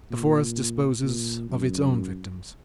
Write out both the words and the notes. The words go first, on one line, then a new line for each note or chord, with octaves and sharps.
The forest disposes of its own victims.
A#2
A#2
F#2